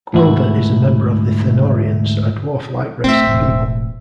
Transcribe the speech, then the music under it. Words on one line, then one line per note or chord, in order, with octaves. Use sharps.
Gwildor is a member of the Thenurians, a dwarf-like race of people.
D2 G#2 E4 F#4
A3 C4 E5
E1 A2